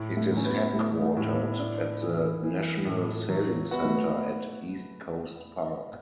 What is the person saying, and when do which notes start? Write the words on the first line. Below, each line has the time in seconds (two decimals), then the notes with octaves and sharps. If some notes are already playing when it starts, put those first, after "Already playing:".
It is headquartered at the National Sailing Centre at East Coast Park.
Already playing: A2
0.17 A3
0.32 F#3 C#4
0.45 B3
0.74 A3 E4
1.02 A3
1.17 A2 A3
1.30 B3
1.59 D4
2.02 E3
2.44 E3
2.87 A2
3.29 F#3
3.71 B3 F#4
3.84 A3
3.97 B3